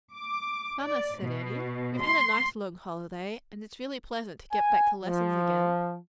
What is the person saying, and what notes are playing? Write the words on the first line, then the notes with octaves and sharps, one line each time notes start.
"Mamma," said Eddie, "we've had a nice long holiday, and it's really pleasant to get back to lessons again."
D6
D5
B2
C6
G#5
F3